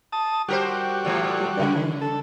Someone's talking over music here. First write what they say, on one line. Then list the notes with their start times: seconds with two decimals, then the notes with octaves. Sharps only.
What the heck?
0.12 A5 D#6
0.48 G3 F#4 G4 A#4 C5
1.05 A#2 E3 A3
1.60 C#3
2.01 A4